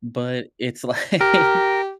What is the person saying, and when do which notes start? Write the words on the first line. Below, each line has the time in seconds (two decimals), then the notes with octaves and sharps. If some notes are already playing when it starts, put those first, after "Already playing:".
But it's like,
1.21 G4 A#4